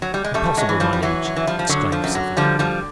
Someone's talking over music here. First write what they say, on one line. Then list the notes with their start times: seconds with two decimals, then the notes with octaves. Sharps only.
"Impossible, my liege?" exclaimed Suffolk.
0.02 F#3
0.14 G3
0.24 G#3
0.34 F#2 G3 A3
0.57 F#3 G#3
0.69 E3
0.80 F3 G3
0.93 G3
1.02 E3 F#3
1.25 F#3
1.36 E3
1.47 F3 G3
1.59 F3
1.69 D3 F#3
1.92 F3
2.04 F#2
2.15 F#3
2.37 D3 F3 G3
2.59 F3 G3